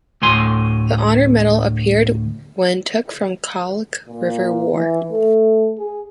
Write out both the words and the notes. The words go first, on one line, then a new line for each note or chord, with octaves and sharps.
The honor medal appeared when took from Khalkh river war.
D2 A2 G#5 C6
A#2
E3
A3
G#4